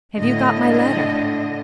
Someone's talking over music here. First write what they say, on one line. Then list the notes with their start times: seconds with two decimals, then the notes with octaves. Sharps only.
Have you got my letter?
0.18 A2 D3 D#5